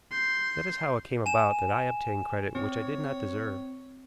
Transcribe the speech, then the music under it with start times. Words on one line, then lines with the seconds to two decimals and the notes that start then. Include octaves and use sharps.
That is how it came about that I obtained credit which I did not deserve.
0.11 C6 G6
1.26 G#5 E7
2.55 C4 C#5